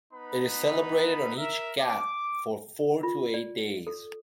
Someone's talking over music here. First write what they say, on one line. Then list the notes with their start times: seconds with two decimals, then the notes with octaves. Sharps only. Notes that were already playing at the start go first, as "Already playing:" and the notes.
It is celebrated on each ghat for four to eight days.
0.13 B3 D#4 B4 B5
1.37 A#4 E5
1.79 D6
3.03 F4
3.34 D5
3.87 A4